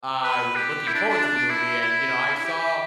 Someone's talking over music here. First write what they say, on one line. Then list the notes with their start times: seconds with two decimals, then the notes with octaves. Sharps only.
I was looking forward to the movie, and, you know, I saw
0.24 B4
0.56 G4
0.88 E4
0.94 D4
1.09 D4
1.50 E4
1.81 E4
2.39 E4
2.45 G4